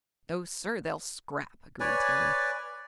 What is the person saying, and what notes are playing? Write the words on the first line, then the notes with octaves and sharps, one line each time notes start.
"No, sir--they'll scrap," agreed Terry.
B4 C#5 D5 G#5